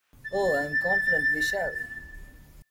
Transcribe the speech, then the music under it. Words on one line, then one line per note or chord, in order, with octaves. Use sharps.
Oh, I am confident we shall.
A6